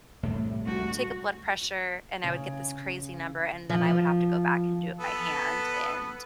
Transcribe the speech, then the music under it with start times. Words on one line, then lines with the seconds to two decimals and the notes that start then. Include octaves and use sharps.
take a blood pressure and I would get this crazy number, and then I would have to go back and do it by hand, and
0.23 A2 C3 G3
0.66 D2 G3 A3 F#4
2.24 C#3
3.69 F3
4.99 B3 A4